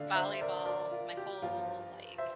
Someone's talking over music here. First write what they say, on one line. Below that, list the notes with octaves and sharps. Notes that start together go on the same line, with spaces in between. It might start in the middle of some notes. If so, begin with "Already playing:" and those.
volleyball my whole, like,
Already playing: D3 A3 D4 D5 F5
C5 E5
A#4 D5
A#4 D5
F4
G4
G2 F3 A#3 F4
C5 E5